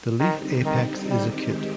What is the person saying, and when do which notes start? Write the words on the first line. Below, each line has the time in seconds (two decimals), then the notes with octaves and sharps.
The leaf apex is acute.
0.19 D3 D#3 G3 C4 D#4
0.65 D#3
1.11 D#3 G3 G#3 C4 G4